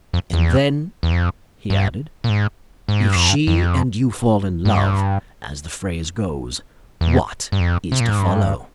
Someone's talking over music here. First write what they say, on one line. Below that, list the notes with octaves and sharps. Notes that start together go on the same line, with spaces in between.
"And then," he added, "if she and you fall in love, as the phrase goes, what is to follow?"
F2
E2
E2
F2
G2
A#2
G#2
G#2
G2
F2
G2
F2
G2
E2
G2
F2
C3
A#2
G#2
G2